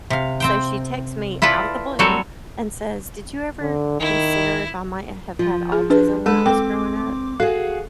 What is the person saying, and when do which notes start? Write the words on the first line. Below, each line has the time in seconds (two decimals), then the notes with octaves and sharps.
so, she texts me out of the blue and says, "Did you ever consider if I might have had autism when I was growing up?"
0.10 C3 F5
0.40 C4 C5 G5
1.42 E4 F4 A4 B4 D5
1.99 F#3 G3 C4 F#4 A4 C#5
3.61 D3
4.00 D#3 E4
5.39 F3 F4
5.72 G#4
5.90 D4 G#4 B4
6.26 G#3 A4 B4
6.46 C4 A4 G5 D6
7.40 F#4 G#4 A4 F5